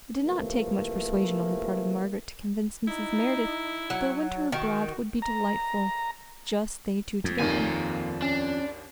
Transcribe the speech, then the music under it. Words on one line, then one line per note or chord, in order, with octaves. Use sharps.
It did not take much persuasion on the part of Margaret to convince Mrs. Merideth that a winter abroad would be delightful--just they two together.
C3 E3 F3 A3 A#3
D#4 E4
F#3
D#3 F#4
A#5
F2
G#1 D#2 D#3 A#3 G#5
C#4 D4